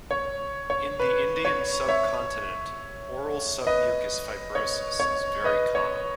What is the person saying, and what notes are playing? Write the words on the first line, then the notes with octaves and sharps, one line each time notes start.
In the Indian subcontinent oral submucous fibrosis is very common.
C#5
C#5
B4
C#5
C#5 E5
B4 D#5
C#5
C#5
B4 D#5
C#5